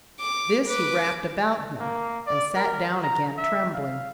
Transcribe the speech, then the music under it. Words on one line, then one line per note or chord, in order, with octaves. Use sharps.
This he wrapped about him and sat down again, trembling.
D6
B4 D6
A#3
D5
A#4
A#5
E5
F5